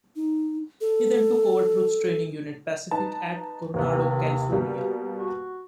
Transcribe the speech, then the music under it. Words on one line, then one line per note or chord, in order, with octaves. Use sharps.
He then took over Troop Training Unit Pacific at Coronado, California.
D#4
A4
D#4 B4 A5
D#2 C3 A#3 B3
B2 G3 A#3
F#4